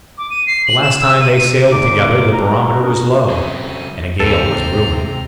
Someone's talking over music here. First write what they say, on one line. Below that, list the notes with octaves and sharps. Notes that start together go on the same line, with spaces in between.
The last time they sailed together the barometer was low, and a gale was brewing.
D6
D#7
C7
F#7
E7
E6
D#7
E2 D3 D#4 D6
A#5
C#4 D4 G#4 A#4
C#3 F#3 C4 E4 D#5
D#2 C3 A4 C5 A#5